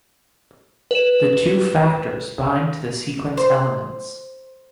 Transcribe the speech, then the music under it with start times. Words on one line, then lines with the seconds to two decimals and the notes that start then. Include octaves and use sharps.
The two factors bind to the sequence elements.
0.91 B4 E7
3.37 C5